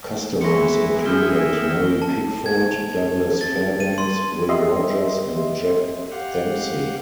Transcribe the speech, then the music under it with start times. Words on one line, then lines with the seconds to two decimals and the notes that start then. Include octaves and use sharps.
Customers included Mary Pickford, Douglas Fairbanks, Will Rogers and Jack Dempsey.
0.41 E3 G#3 C#6 A#6 C#7
1.06 G#4 E5 G5 F6 A#6 G7
2.02 A5
2.46 G#6
3.41 A6
3.80 D#7
3.98 C6
4.49 G4 D#5 E5 C6
6.12 G4 F5 F#5